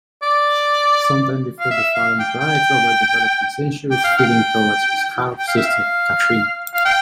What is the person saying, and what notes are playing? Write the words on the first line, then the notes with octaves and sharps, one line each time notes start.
Sometime before the Fallon Pride, Robert develops incestuous feelings towards his half-sister Catherine.
D5
F5
E5
F5
G5
G5
G5
F5
G5
G5
F5
E5
F5
F5
G5